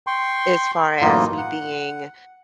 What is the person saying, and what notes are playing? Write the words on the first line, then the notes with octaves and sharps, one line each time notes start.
as far as me being,
G5 C6 C#6
F#2 A2 E3 A#3 D#4 F4
F#5